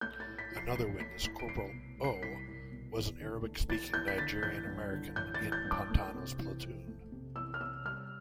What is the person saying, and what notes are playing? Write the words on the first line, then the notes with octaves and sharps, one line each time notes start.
Another witness, "Corporal 'O' ", was an Arabic-speaking Nigerian-American in Pantano's platoon.
A3 G6
A6
A2
B6
F3
C7
A1 C7
A3 B6
A2 B6
D7
C2 C7
B2
G3
C7
C2 B6
C2
B2
E2
D3
A3
E2 A6
E2 G6
B6
D3 A6
A1 G6
G2
D3
A1 G6
A6
A1
G6
G2
D6
A3
C3
E3
F2
A3
C3
E2 E6
F6
C3 E6
G3 F6